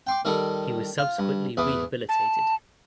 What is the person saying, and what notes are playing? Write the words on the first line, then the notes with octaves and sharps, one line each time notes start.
He was subsequently rehabilitated.
G5 C6 D6
D#3 G3 D#4 A4
F4
G2
E2 E3 D6 D#6
A5